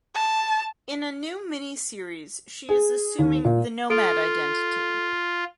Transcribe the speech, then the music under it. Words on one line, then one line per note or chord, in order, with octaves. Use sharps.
In a new miniseries she is assuming the Nomad identity.
A5
G#4
D#2
A#2
F4 A4 D7